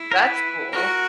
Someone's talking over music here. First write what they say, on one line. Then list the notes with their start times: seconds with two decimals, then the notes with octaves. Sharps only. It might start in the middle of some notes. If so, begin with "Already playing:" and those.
That's cool.
Already playing: E4
0.12 A#4
0.19 B4
0.72 F#4 A#4